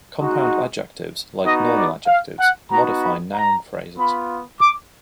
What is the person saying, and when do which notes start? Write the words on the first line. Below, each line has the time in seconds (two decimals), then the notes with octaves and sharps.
Compound adjectives, like normal adjectives, modify noun phrases.
0.18 G#3 D#4 F#4
1.44 B3 D#4 F#4 D#5
1.77 D5
2.07 F5
2.39 F#5
2.71 B3 D#4 F#4 A#5
3.02 B5
3.35 A#5
3.98 B3 F4 B5
4.60 D6